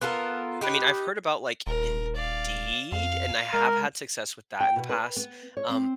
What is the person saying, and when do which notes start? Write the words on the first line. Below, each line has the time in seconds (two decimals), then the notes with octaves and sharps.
I mean, I've heard about, like, Indeed, and I have had success with that in the past, um,
0.02 B3 F4 A4 A#4
0.61 D#4 G4 B4
1.67 D#1 A#4
2.16 D5 F5
2.92 F2 F5
3.54 G#3 A#4
4.60 G5
4.76 B2
4.89 B4
5.16 B3
5.57 C#5
5.69 C4